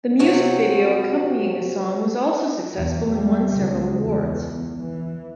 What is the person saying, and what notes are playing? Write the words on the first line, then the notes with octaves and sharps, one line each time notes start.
The music video accompanying the song was also successful and won several awards.
C3 F#3 C4 C#4 F#4
E2
G3
C#2
E2
E3